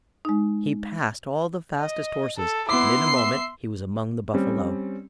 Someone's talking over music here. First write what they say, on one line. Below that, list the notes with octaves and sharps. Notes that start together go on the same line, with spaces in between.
He passed all the fastest horses, and in a moment he was among the buffalo.
G#3 D#4
D#5
A4
B3 E4 C6 D6 C7
E5
G3 C4 C#4